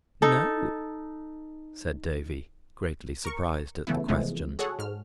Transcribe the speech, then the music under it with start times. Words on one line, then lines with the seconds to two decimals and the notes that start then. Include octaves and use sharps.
"No," said Davy, greatly surprised at the question.
0.22 D#4 A4
3.25 A#4 C#6
3.87 C#3 E3 A3 B3 E4
4.08 C3 E3 F3 G#3 A3 B3
4.59 F#4 G#4 A4 C#5 F#5
4.79 G#2 F6